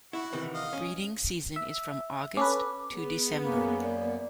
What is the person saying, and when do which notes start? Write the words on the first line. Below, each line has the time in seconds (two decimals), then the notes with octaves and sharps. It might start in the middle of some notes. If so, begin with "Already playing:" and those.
Breeding season is from August to December.
0.13 E4 F#4
0.33 C3 D#3 E3
0.54 D#5 F5
0.73 C#4
1.56 E5
2.37 C#4 A4 B4 D6
2.95 B3 G#4
3.44 F#2 A#3
3.82 D5